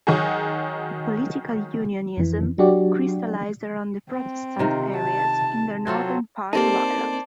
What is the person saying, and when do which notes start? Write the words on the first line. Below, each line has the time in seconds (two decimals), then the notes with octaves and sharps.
Political Unionism crystallised around the Protestant areas in the northern part of Ireland.
0.07 D#3 F#3 D#4 F#4 G#4
2.17 F2 E3
2.58 F#3 D4 F#4 G4 D5
4.11 C4
4.59 C3 D#3 F4
4.97 A5
5.87 F#3 C4 F4 A4
6.53 A#3 C4 D#4 G4 A4 C5 D5 A5